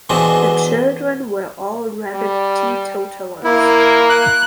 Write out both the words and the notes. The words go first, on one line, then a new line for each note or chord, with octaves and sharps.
The children were all rabid teetotallers.
B2 E3 G#3 C4 D4 F#4
G3
A#3 E4
F#6